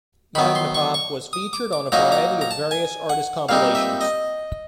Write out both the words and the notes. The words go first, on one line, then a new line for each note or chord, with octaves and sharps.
Magnapop was featured on a variety of various artist compilations.
D#3 F#3 B3 B5
C6
C#6
C#6
D#6
D6
D6
A#2 F#3 A#3 D#4 A#5
A#5
A#5
A5
G#5
F#5
A#2 G3 C4 D#4 F5
E5
D#5